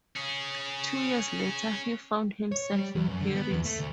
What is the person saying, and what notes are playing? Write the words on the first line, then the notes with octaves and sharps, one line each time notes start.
Two years later he found himself in Paris.
C#4 G#4
C#5
G3
E2
F#2
D3
B3
E2
A3
D2